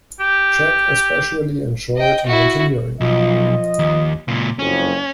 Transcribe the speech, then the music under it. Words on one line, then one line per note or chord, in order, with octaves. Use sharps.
Jack especially enjoyed mountaineering.
G4
D#5 G5
E4 F#4
B1 F3 F4 D#5
D#2
C#2 A#2
F#1 F2 C#4